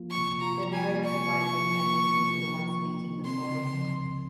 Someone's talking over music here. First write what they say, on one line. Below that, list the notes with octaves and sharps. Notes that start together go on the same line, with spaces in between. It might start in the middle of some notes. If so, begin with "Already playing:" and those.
The narrator provides the transition to the one speaking the story.
Already playing: F3 A#3 F4
C#6
C3
F4 A#5
F3
G#5
A#3
C#6
C3
F4
F3
A#3
C3
F4
F3
A#3
C3
C4 C6
C#3
F3
C#2